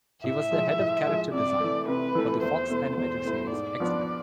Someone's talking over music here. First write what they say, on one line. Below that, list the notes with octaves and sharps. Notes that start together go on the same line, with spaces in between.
He was the head of character design for the Fox animated series "X-Men".
A2 E5
F3 G#3
A2
F3 G#3
C3 D5
E3 A3
C3 B4
E3 A3
E2 C5
B2 A3 E4
E2 C5
B2 A3 E4
G#2 D5
F3 B3 D4